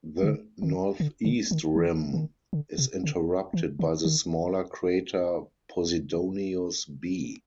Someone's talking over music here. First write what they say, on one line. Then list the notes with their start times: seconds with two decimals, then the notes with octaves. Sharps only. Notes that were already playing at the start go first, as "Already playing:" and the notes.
The northeast rim is interrupted by the smaller crater Posidonius B.
0.23 D3
0.62 D#3
1.00 D3
1.25 D3
1.51 D#3
1.75 E3
2.14 D#3
2.53 D3
2.78 C3
3.04 D3
3.53 E3
3.79 D#3
4.05 D#3